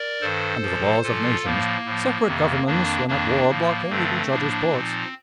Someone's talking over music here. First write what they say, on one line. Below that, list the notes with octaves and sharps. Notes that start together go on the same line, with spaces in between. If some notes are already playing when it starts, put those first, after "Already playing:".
Under the laws of nations, separate governments when at war blockade each other's ports.
Already playing: A#4 D5
G2 D#3 A4 C5
A#2 F3
A#2 F3 F4 A4
A2 F3 A#3
A2 F3
F2 C3 D#3
F2 D#3 A#3 D4
F2 D#3 A#3 D4
A2 F3 A#3
G2 D3 F3 A3 C4
A2 F3 A#3 D4
A#2 F3 C4 D#4